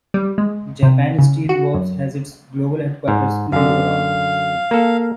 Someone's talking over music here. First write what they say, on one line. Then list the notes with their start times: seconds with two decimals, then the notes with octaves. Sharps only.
Japan Steel Works has its global headquarters in Muroran.
0.14 G3
0.38 G#3
0.83 C3
1.19 C#3
1.49 F#4
1.74 F#2
3.08 G#2
3.52 F#2 D3 F5
4.71 A#3 A4